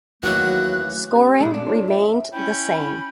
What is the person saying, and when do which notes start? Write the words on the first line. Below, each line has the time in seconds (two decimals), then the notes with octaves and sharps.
Scoring remained the same.
0.23 D#2 C#3 E3 F#3 A3 F#4 F#6
1.15 C#4 G4 B4
1.41 A#2 G#3 A3
1.54 C4 D4
1.67 D#4 F4 A4 C#5
1.88 E5
2.33 C#4 E4 G5 B5